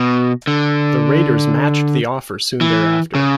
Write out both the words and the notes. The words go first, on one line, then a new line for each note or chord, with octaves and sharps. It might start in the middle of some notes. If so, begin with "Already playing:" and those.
The Raiders matched the offer soon thereafter.
Already playing: B2
D3
E3
C#3